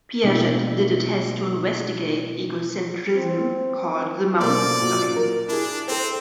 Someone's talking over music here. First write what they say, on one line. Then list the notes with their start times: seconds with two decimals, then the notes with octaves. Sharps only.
Piaget did a test to investigate egocentrism called the mountains study.
0.24 B2 G#3 A#3 D4 E4 E5
3.16 C4
4.40 B2 A#3 A4 A#4 C5 D5
4.80 A#2 F#3
5.17 A#4
5.49 D4 E4 G#4
5.88 C4 A4 C5